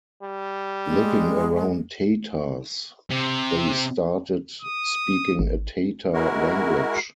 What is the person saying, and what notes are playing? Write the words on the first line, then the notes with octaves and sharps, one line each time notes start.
Living around Tatars, they started speaking a Tatar language.
G3
G#3
C3
D#6
G#1
G#3 E4 F#4 A#4